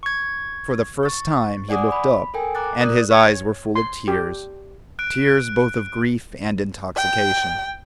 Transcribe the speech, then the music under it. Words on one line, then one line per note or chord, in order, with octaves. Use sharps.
For the first time he looked up, and his eyes were full of tears--tears both of grief and intoxication.
C#6 G#6
C#6 A6
C#5 D5 F#5 G#5 D6 D#6
B5
A4 A#4 G5 G#5
A#5 D6 F#6 A6
A#4 D5 D#6 F#6
C#5
C6
G4
F#6 D7
G5